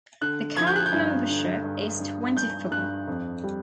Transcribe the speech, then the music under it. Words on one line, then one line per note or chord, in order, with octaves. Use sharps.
The current membership is twenty-four.
D3 F#6
F3 G#6
G6
F#6
G6
G2
D3
G2
G2
G2 G6
G2 F#6
F2
G3